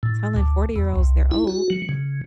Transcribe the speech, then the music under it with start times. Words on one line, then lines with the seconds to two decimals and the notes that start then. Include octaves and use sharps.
telling forty-year-olds they're old.
0.03 A2
0.36 D2
0.76 E2
0.96 C2
1.31 E4
1.47 F#4
1.70 F#3
1.89 C#3